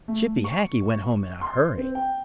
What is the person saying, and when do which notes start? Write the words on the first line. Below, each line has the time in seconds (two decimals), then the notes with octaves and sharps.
Chippy Hackee went home in a hurry!
0.08 A3
0.44 C#6
1.41 C6
1.78 C4
1.95 G5